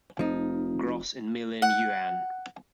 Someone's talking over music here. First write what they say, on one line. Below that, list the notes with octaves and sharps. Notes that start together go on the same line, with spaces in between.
Gross in million yuan.
F1 F3 D#4
F#5